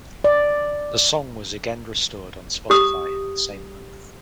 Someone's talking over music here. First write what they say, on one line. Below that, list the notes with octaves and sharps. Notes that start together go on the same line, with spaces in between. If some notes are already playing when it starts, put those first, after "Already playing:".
The song was again restored on Spotify in the same month.
D5
G4 D#6